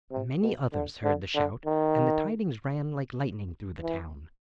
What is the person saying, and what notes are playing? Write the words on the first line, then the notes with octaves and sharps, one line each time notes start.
Many others heard the shout, and the tidings ran like lightning through the town.
C3
B2
D3
D3
D3
D#3
E3